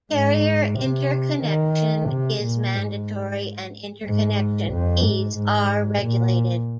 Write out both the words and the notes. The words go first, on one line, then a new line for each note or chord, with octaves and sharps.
Carrier interconnection is mandatory and interconnection fees are regulated.
G#2
C3
D#3
C3
A#2
G#2
G#2
F2
G#2
G#2
A#2